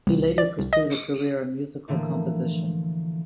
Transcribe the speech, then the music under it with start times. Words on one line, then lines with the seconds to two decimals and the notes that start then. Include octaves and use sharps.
He later pursued a career in musical composition.
0.07 C2
0.38 D5
0.59 C2
0.73 D#5
1.88 A2 D3 E3 F3 A3 A#3